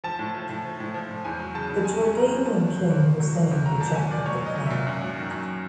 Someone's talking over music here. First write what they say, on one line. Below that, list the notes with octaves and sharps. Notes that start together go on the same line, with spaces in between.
The Jordanian King Hussein rejected the plan.
F3 A5
A2
F3
A2
F3
A2
F3
A2
E2 G#5
F#3
C#3 A5
E2
E2 G#5
F#3
C#3 A#5
E2
E2 A5
F#3
B2
E2
E2
F#3
B2
E2
F#3 A#5
A#2 A5
F#3 G#5
A#2 D5
F#3 C#5
A#2
D#5
F#3
A#2 E5
F#2
F#3
D#3
F#2